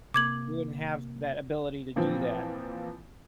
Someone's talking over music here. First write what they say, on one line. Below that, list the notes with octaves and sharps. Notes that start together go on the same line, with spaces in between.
You wouldn't have that ability to do that.
C3 A#3 D6 G#6 F#7
A#2 E3 F3 C4